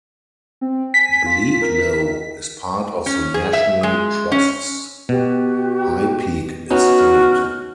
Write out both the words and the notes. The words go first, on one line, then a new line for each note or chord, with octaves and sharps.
Bleaklow is part of the National Trust's High Peak Estate.
C4
G#5 B6
F4
A#4
C#4
G#4
E5
G#3
C#4
B2 F#4 G4
B3 C#4 D#4 F#4 F6